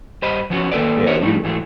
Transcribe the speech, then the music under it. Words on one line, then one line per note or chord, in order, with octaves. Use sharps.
Yeah, you d
G2 G4 C5 D#5 B5
F3 F#3 B3 C#4 D#4 F#4
D#3 A#3 A4 B4 D5
D4 F#4 G4 A#4 C5 C#5
F3 G3 A3 D#4
G#2 E3 F#3 A3